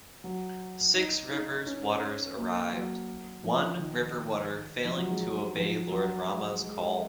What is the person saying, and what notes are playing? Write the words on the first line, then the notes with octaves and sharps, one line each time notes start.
Six rivers waters arrived, one river water failing to obey Lord Rama's call.
F#3
D#4
D#4
C#4
A#3
F#3
F3
D#3
F3
F#3
G#3
F#3
F3
F#3
G#3
G#3
G#3